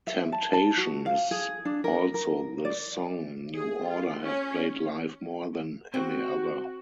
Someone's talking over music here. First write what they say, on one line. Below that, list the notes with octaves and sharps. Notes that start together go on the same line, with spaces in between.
"Temptation" is also the song New Order have played live more than any other.
E5
A5
A5
F#4
F5
G#4
D4
A#4
A#4
D5
G#4
F4
C#4
C4 F#4